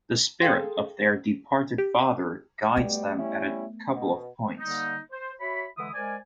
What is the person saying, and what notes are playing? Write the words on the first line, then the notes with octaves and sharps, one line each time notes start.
The spirit of their departed father "guides" them at a couple of points.
G#4 A4 F5 G5 C6
G4
B2 G3 A3 B3
G3 C#4 E4
B2
D3 G3 A#3 D#4
C5
F#4 C#5 E5 B5
D3 E3 G#3 E4 D#6
G#3 A#4 C5 D5 G#5